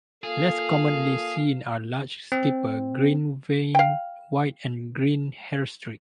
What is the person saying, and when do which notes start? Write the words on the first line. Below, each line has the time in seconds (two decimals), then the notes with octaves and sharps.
Less commonly seen are large skipper, green-veined white and green hairstreak.
0.24 A#3 F4 G#4 A4 F5
2.32 C4
3.75 F5 G5